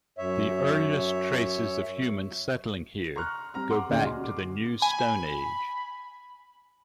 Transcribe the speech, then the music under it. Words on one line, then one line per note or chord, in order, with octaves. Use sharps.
The earliest traces of humans settling here go back to the New Stone Age.
F#2 C#5 E5
A#5 C6 C#6 F6 F#6
G3 C4 A#5 F6
F#5 C6 D6
D2 A#2 C#4 D#4 G#4 D5
F#4 C6
D6
G#5 B5